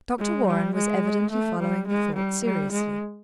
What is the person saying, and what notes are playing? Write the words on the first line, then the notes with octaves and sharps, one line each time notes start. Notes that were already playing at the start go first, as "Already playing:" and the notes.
Dr. Warren was evidently following the thought seriously.
G#3
G3
G#3
A3
G3
G#3
G3
G3
G#3